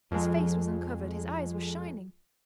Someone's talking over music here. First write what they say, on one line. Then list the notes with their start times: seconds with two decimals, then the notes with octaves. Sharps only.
His face was uncovered, his eyes were shining.
0.11 F2 G#3